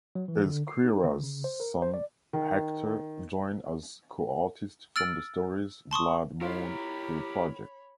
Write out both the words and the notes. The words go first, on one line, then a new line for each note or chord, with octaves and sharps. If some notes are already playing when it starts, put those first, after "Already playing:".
Ezquerra's son Hector joined as co-artist from the stories "Blood Moon" to "The Project".
F#3
E3
D3
C7
D#4
D3
C#3
C5
A#4
C5
D5
D#3
E6 F6 A6 D7 F#7
A5 C6 C#6 D#6
E4 F4 G4 A#4 C#5 B5